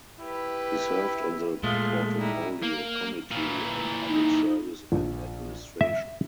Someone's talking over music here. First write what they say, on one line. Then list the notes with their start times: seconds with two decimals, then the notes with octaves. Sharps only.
He served on the Portfolio Committee on Public Service and Administration.
0.20 E4 G4 B4
1.63 A#2 G#3 A3 F4
2.19 G3 D#4 E4
2.63 A#3
3.32 A#2 E3
4.08 D#4
4.92 A#1
5.81 E5